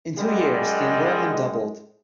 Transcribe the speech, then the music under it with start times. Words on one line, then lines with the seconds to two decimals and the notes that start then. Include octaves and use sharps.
In two years the enrollment doubled.
0.18 F#2 G3 G#3